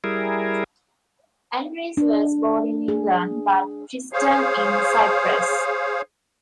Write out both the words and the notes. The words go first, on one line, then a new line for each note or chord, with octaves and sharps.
Andreas was born in England but christened in Cyprus.
G3 E4 G#4 A#4
D4
G#4
G#4 C5 C#5 F5